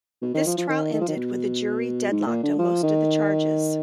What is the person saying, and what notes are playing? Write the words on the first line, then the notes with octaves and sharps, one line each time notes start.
This trial ended with a jury deadlocked on most of the charges.
B2
D#3
F3
F3
D#3
D#3
F3
D#3
B2
G#2
A#2
D3
F3
D#3